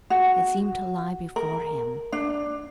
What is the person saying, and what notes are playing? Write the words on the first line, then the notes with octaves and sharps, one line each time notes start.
It seemed to lie before him.
F#4
A#4
D4